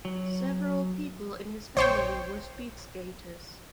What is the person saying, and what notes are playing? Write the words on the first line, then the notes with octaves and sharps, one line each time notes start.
Several people in his family were speed skaters.
F#3
A#1 C5 C#5 G5